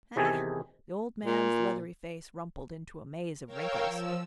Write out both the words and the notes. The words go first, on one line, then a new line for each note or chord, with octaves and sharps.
"Ah?" The old man's leathery face rumpled into a maze of wrinkles.
E2 C3 D#3 G#4 A4 G#5
A#2
A#4 C#5 F5 G5 E6
F3 E6